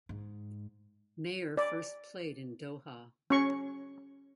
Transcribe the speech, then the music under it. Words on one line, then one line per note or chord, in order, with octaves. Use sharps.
Mayer first played in Doha.
G#2
D5
C#4 C#6